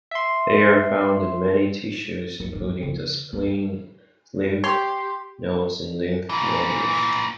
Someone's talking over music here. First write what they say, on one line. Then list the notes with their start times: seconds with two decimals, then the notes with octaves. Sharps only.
They are found in many tissues including the spleen, lymph nodes and lymph nodules.
0.11 E5 C6
2.40 D#4
2.55 G2
2.83 C#3
3.33 G2
4.64 G4 C#5 C6
6.29 A#2 E3